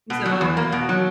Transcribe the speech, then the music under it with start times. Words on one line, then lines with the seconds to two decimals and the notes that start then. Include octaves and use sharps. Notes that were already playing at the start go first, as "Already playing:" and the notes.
You say what?
0.10 B2
0.26 F#3
0.41 E2
0.57 A#3
0.72 B2
0.89 F#3